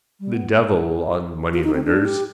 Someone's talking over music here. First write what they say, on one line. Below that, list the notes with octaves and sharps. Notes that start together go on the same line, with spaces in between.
The devil on moneylenders.
G3
B3
F4
D#4
C4
D4
G4